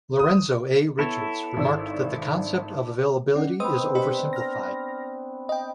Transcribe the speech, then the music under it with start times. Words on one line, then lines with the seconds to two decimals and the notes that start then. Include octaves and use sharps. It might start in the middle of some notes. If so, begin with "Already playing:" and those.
Lorenzo A. Richards remarked that the concept of availability is oversimplified.
0.19 D#6
0.99 B3 E4 A4 C#5
1.57 G#1 D4 E6
3.36 C#4 D5 F#5
3.60 B3 C4 B4 D#5 D#6
3.95 D4 G4 D#5 B5
4.33 F6 A#6
5.49 D#5 G5